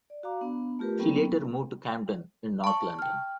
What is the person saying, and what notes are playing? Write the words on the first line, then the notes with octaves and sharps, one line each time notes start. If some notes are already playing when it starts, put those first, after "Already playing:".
She later moved to Camden in North London.
D5
F#4 F5 A#5 D6
B3 D4
A3 F4 G4 A#4 B4
F#3 A#3 B3 C#4 A4 G5
A5 C#6
G5 F6